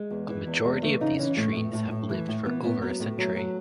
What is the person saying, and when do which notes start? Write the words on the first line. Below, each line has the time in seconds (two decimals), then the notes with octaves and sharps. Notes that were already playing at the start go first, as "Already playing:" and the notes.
A majority of these trees have lived for over a century.
Already playing: G#3
0.10 E2
0.28 E3
0.47 E2
0.64 E2 G#3
0.82 E3 A3
1.01 C#3 D#4
1.19 E3 C#4
1.37 A2 A3
1.56 A2
1.73 A2 A3
1.91 A2
2.09 E3
2.28 A2
2.46 E3 B3
2.63 A2 B3
2.82 F#3 B3
3.00 A2 A3
3.18 F#3
3.36 F#3